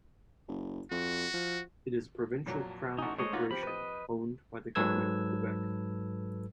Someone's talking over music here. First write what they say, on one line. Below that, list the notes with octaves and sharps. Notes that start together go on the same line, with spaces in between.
It is a provincial Crown corporation owned by the Government of Quebec.
F#1
F2 F#4
F3
F2 A#2 F#3
A1 D#4 F#4 G#5
G#3 A3 C5 C#5 D#5
B3 D#4 F4 F#4 C#5 D6
F3 C4 G4 B5
B4 D#5
G#2 F#3 A4 B4 E6 G#6